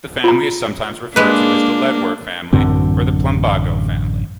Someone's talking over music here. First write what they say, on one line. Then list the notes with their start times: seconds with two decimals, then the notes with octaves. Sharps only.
The family is sometimes referred to as the leadwort family or the plumbago family.
0.24 F4 A#5
1.16 G#3 A#3 D4 B4
2.53 A1 F#2 D3 C4